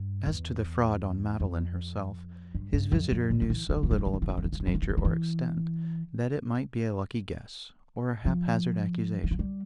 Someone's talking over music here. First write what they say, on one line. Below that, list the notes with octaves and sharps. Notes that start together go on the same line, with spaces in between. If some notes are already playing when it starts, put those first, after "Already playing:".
As to the fraud on Madeline herself, his visitor knew so little about its nature or extent, that it might be a lucky guess, or a hap-hazard accusation.
Already playing: G2
E2
F2
G2
G2
F2
F2
A2
F3
E3
E3
F3
E3
F3
E3
F3
E3
F3
E3
F3
E3
F3
E3
F3
E3
F3
E3
F3
E3
F3
E3
F3
G3